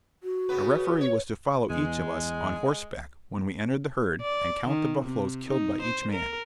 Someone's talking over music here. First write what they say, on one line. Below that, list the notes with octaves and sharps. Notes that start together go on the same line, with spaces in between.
A referee was to follow each of us on horseback when we entered the herd, and count the buffaloes killed by each man.
F#4
C#3 B3 B4
C#5
E2 G#3
D5
D#3
C3
D#4
C5
A#4